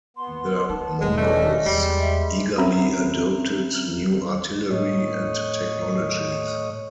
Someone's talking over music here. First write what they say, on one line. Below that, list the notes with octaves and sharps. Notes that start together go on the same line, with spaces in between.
The Mongols eagerly adopted new artillery and technologies.
B3 C6
D#4 A5
E1 G#3 A#3
E3 A3 C#4 D4 D#5
E2 G3 G#3
E5
C4 C#4 F#4 E5 A#5 B5
A2 C#5 D#5